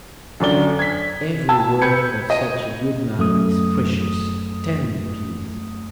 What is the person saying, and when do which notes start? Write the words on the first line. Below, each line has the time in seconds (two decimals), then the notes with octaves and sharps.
"Every word of such a good man is precious: tell me, please."
0.40 F#2 D3 D5 G7
0.79 G#6 B6
1.49 A5 E6 G#6
1.82 B4 G6 G#6 C#7
2.30 D#5 D#7
3.19 F#2 A3 D#6